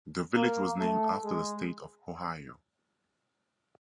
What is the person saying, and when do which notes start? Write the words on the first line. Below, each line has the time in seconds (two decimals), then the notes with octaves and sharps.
The village was named after the state of Ohio.
0.35 A#3
0.80 A3
1.24 G#3